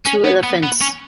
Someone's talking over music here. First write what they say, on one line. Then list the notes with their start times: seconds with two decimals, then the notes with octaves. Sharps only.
Two elephants.
0.07 C#4
0.25 B3
0.43 B3
0.63 B3
0.81 C#4